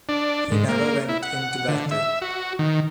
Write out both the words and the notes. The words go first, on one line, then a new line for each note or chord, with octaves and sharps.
He never went into battle.
D4
G#2
A#3
E4
F#5
D3
E5
F#4
D#3